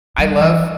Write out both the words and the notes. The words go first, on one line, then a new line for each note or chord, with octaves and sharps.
I love
G3
E3